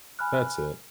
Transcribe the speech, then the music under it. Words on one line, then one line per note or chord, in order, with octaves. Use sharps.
That's it.
G#5 B5 F6 F#6